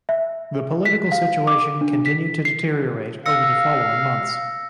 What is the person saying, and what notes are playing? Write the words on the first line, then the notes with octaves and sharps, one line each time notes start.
The political situation continued to deteriorate over the following months.
E5
B6
F5
D6
D4
B6
C7
F5 E6 A#6 C#7